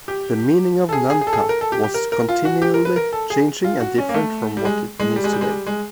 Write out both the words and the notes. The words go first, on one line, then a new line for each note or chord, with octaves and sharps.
The meaning of nanpa was continuely changing and different from what it means today.
G4
A4
G#4
G#4
G#4
A4
G#4
A4
A#4
A4
G4
G4
A#4
A#4
F4
F#4
G4
A#4
B4
A#4
A4
G#4
F4
F#4
C#4
A#3
A3
G3
G#3
G#3
G3
G#3
G3
G#3
G3
G#3